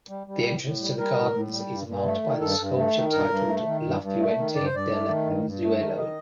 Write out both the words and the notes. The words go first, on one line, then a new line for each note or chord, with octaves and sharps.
The entrance to the gardens is marked by the sculpture titled “La Fuente del Anzuelo”.
G3
G3
A2
A2
G3
G3 A#4
A2
A2
G3
G2
G2
A3
D#3
G2 A4
G2
A3
D#3
G2 A#4
G2
A3
D#3
G2
G2
A3
D#3
G2 D5
C5
G2 D5
A3
D#3
G2
G2
A3
D#3
D#5